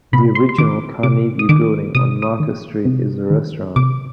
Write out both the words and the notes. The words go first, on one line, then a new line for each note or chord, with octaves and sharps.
The original Carnegie building on Market Street is a restaurant.
C3 B5
C6
C6
D#3 D6
C3 D6
D#6
D#3 D6
C3 D#6
D#6
D#3
C3
D#3
C3 D6